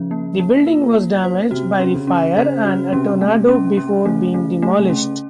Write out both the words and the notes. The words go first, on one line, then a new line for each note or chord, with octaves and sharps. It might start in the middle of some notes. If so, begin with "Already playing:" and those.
The building was damaged by fire and a tornado before being demolished.
Already playing: C#3 F3
A#3
A#3
F4
A#3
C5
C3 F#4
C#4
C#3
C#4
C#3 C5
C#3 F#4
C3 C#4
A3
C#4
C#4
C#3 A3
C#3 A3
A3
C3
C#3 C#4